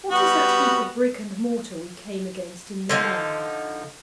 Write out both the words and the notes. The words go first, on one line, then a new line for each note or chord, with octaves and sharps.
'What is that heap of brick and mortar we came against in the yard?
G3 B3 F#4
D3 F3 D#4